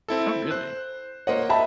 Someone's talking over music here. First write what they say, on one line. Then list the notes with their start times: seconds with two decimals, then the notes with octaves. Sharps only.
Oh, really?
0.08 C4 E4 A4
0.51 C5 F#6
1.27 A#3 A#4 C5 C#5 D#5 F#5
1.49 D#5 E5 A5 B5